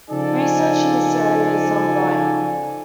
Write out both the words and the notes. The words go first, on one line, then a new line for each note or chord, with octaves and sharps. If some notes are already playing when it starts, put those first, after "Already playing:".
Research in this area is ongoing.
C#3 F3 D#4 A4 D5 G#5